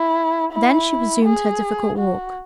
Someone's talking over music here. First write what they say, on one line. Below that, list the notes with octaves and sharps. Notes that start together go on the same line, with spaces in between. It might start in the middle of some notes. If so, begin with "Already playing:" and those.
Then she resumed her difficult walk.
Already playing: E4
E4
G#4
F#4